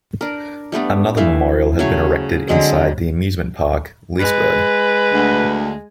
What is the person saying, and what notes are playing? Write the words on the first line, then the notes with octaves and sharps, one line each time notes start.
Another memorial has been erected inside the amusement park Liseberg.
D4 A#4
G3 A3 B3 D4
E3 A3 E5 F5
C#3 F#3 A3 C#5
D3 F#3 G#3 C4
G#3 B4
D2